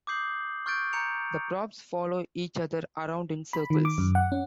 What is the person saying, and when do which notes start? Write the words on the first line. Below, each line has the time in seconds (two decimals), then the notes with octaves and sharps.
The props follow each other around in circles.
0.07 D6 D#6 G6 C7 F#7
0.66 C#6 F6 G6 A6 D7
0.93 A#5 G6 C#7 F7
3.53 B5
3.70 D#3
3.85 D6
3.98 F#2
4.15 F#5
4.32 C#4